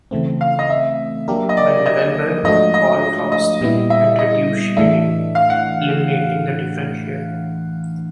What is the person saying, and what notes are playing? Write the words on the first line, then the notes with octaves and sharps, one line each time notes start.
By November, fall frosts had reduced shading, eliminating the differential.
C#3 E3 A3 C4
F5
D#5
E5
F#3 A#3 D4 G4 A#4
D#5
D5
D#5
G#2 F3 A3 D4 F#4 D#5
D#5
D#5
A#2 G3 B3 E4
E5
D#5
A2 E3 A3 D4 E5
F5
F#5